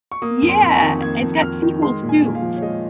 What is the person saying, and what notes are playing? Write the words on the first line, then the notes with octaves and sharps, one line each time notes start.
Yeah, it's got sequels too.
C#6
A#3 D#6
F2
C6
F2
C#6
D#3
A#3 G#6
F2
F2 F6
D#3
G#3 C6
A#2
G#5
A#2
F5
F3
C#5
G#3 D#5